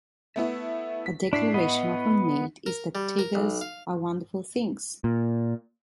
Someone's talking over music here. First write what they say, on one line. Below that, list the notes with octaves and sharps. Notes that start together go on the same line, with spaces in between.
A declaration often made, is that Tiggers are wonderful things.
A3 B3 E4
B6
A2 D4 B6 C7
B3 D#5
A#4
G3
A#4
B1
F5
A#2